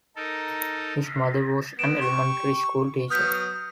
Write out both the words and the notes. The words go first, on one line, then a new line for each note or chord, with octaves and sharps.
His mother was an elementary school teacher.
D#4 A4 A#4
B3 D7 E7
G4 C#6
F#3 B3 D#6 F6 G6 B6